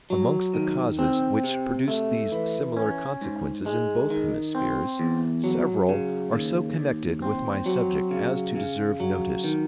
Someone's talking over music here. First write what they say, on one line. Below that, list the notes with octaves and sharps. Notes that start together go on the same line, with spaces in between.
Amongst the causes which produce these similar consequences in both hemispheres, several are so connected with my subject as to deserve notice.
F#3
D#3
C4
C3
A3
E3
C#4
G#2
G#3
D#3
C4
E2
F#3
C#3
D#2
D#2
C4
F#3
C#3
C#3
F#3
D#3